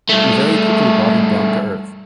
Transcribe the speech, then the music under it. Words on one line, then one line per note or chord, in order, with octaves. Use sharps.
We very quickly brought him down to earth.
G2 A3